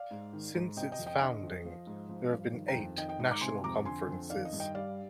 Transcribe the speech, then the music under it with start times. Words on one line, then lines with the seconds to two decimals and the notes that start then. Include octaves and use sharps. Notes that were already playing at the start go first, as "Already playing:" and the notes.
Since its founding, there have been eight national conferences.
Already playing: D5 F5
0.11 G#2
0.33 D#3
0.54 G#2
0.77 C3 D#5 G5
0.92 D#5 G5
0.99 F2
1.06 D#5 G5
1.21 D3 D#5
1.43 F2
1.65 F3
1.87 G#2
2.09 F3
2.32 G2
2.53 D#3
2.68 G5 A#5
2.76 F2
2.98 D#3 D#5 G5
3.09 D#5 G5
3.19 G#2 D#5
3.31 A#5 D6
3.41 C3 G#5 C6
3.64 F2 A#5 D6
3.85 D3 G#5 C6
4.09 F2
4.30 D#3 D5 F5
4.45 D#5
4.53 G2
4.60 D#5 G5
4.75 G3 D5 F5